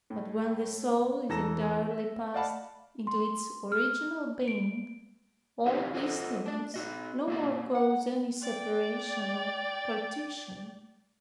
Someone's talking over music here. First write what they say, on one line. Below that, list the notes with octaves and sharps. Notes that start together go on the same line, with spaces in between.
But when the soul is entirely passed into its original Being, all these things no more cause any separation or partition.
A2
E1 E3 A4 A#5 A#6 E7
E5
D5 D#5 F5 F#5 A5 B5
C6
F6
D7
C4 D#4 G4 C#5 F5
F4 F#4 A4 A#4 C5 D#5
D4 D5
D#4 F#4 D#5
A#3 F#4 D5
F#5
D5 G5